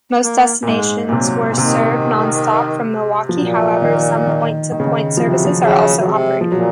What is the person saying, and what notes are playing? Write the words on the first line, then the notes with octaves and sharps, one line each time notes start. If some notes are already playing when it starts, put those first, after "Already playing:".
Most destinations were served nonstop from Milwaukee; however, some point-to-point services were also operated.
A#3
A#2
G#2 G#3
A#2
C3 F#3
A#2
C3 D#3
F3
A#2 F#3
D#3
D#3
D#3
C#3
D#3
C3 F3
F#3
F3
C#3 F#3
F#3
C3 G#3
F3
A#2 F#3